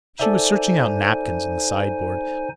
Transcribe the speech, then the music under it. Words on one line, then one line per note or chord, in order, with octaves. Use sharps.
She was searching out napkins in the sideboard.
D#4 A4 C5 D5 E5 G#5